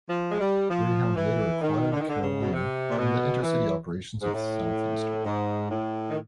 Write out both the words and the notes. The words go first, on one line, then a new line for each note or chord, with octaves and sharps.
Greyhound later acquired Carolina and the intercity operations of Southeastern.
F3
G#3
G3
F3
E3
D#3
D3
D#3
D3
C#3
B2
C3
A#2
B2
E3
G#2
A2
G#2
A2
D#3